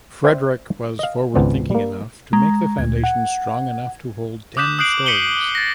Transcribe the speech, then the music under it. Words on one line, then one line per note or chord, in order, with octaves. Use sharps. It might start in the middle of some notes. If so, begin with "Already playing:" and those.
Frederick was forward-thinking enough to make the foundation strong enough to hold ten stories.
C5 D5 E5 G5
D#5 F5
G#1 C#2 B3 C4 D5
G3 A#3
G#3 A#5
D2 A#2 G#6
F#5
D6 D#6 F#6 G6 B6 E7
D#6 F#6 G6 C7 D7 F#7
B6 C#7 D#7 F#7 G7
A6 A#6